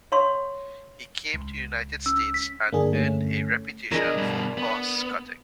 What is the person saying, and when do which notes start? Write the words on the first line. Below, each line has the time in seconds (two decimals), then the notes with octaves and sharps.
He came to the United States and earned a reputation for cost cutting.
0.12 C#5 F5 C6 C#6
1.34 C#2
2.06 C#4 E6
2.34 B6
2.72 G2 D3 A#3 D4 G#4
2.93 A3 C#4
3.91 E2 D4 G#4 A#4 D#5
4.17 G2 B2
4.58 B3